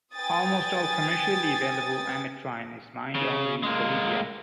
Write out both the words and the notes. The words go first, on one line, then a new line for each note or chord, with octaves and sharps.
Almost all commercially available ametrine is mined only in Bolivia.
B4 G5 G#5 D#6 A6
C#3
G#3 A#3